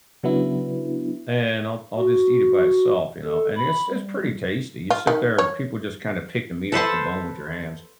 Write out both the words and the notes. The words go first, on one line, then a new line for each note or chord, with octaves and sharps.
and I'll I'll just eat it by itself, you know? And it's it's pretty tasty, you sit there and people just kinda pick the meat off the bone with your hands.
C#3 F#3 B3 D4 E4
F#4
A4
B5
G3
F4
D#3
C#5
A4 B4 C5 A5